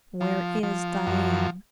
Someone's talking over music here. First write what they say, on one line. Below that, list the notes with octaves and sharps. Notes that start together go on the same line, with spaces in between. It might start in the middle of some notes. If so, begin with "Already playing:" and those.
Where is Diane?...
F3
F3
F#2